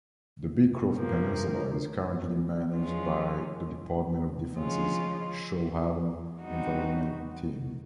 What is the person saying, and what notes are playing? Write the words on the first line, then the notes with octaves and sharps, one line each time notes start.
The Beecroft Peninsula is currently managed by the Department of Defence's Shoalhaven Environment Team.
C3 F3 A#3
F3 G#3 C#4 F4
C#3 F3 G#3 C#4 F4
G3 C4 D#4 F#4